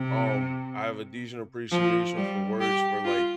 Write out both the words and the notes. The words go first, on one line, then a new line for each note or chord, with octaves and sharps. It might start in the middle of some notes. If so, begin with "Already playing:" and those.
Um, I have a decent appreciation for words for, like
Already playing: C3
F3
G3
G4
F4